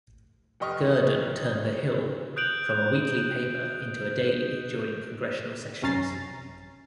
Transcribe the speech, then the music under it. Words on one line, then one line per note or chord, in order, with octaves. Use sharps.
Gurdon turned "The Hill" from a weekly paper into a daily during congressional sessions.
F1 G4 D#5 C#6 F6
D#6 F#6 G6 D7 F7 F#7
C2 F#2 C#4 A#5 A6 C7